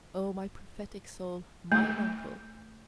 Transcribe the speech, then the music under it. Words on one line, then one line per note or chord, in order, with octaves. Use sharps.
"Oh, my prophetic soul, mine uncle."
A3